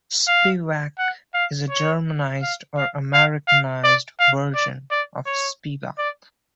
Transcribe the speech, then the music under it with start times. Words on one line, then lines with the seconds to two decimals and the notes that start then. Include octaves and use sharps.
Spivack is a Germanized or Americanized version of Spivak.
0.27 F5
0.98 F#5
1.34 F5
1.69 C#5
2.42 F5
2.77 F5
3.13 F5
3.48 F5
3.84 D5
4.19 F5
4.55 D5
4.91 D5
5.26 C#5
5.98 D5